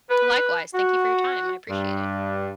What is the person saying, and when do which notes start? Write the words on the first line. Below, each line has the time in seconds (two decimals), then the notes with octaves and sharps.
Likewise, thank you for your time, I appreciate it.
0.10 B4
0.74 F#4
1.69 G2